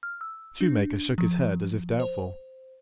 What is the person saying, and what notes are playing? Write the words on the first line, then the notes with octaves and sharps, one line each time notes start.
The shoemaker shook his head as if doubtful.
F6
E6
D4
F3
C5